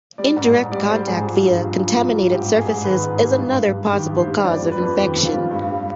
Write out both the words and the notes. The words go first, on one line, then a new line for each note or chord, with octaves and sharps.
Indirect contact via contaminated surfaces is another possible cause of infection.
G3 D5
G#2
G#2
G3 D5
G3 C5
G#2 G#4
F3
G2
G2
F3
F3
G2
G#2 G4
G3
G#4
G#2
D#3 B4
G#2
G3
G2
G3
G2
D#3 G4
G2
C5
G3
F2 D5
G3
B4
F2
D#3 G4
F2
F4
G3
G2
G3